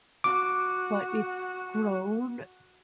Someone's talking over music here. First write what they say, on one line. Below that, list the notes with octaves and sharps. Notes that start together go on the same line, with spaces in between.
but it's grown,
F#4 D6